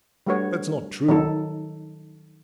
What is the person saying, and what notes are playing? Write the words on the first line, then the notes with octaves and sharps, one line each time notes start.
That's not true.
G3 A3 D4 F#4 B4 C#5
D#3 F#3 D#4 A4